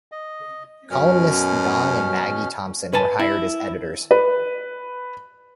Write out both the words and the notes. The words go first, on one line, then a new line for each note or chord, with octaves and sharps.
Columnists Don and Maggie Thompson were hired as editors.
D#5
F#2 B2 C#4 F6
B4 G#5 A5
E4
B4